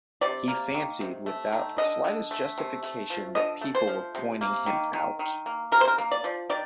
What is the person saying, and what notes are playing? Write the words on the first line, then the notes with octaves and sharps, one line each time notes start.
He fancied without the slightest justification that people were pointing him out.
C3 D5
A#3
D#3
C3
A3
D#3
D3 D#5
D3
A3
C3
A3
F3
D3 D#5
A3
C5
F3
C3
A#3
D#3
D#3
D#3
A#3
C3 A#4
C5
A#4
A#3
D5
F3
D#3 D5